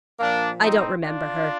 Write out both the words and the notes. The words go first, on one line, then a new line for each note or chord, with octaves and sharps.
I don't remember her.
A#2 F3 A#3 D4
C4 D#4
D4 F4